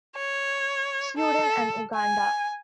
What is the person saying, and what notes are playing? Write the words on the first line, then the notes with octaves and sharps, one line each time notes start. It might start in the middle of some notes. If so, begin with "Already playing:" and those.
Sudan, and Uganda.
C#5
A4
G#5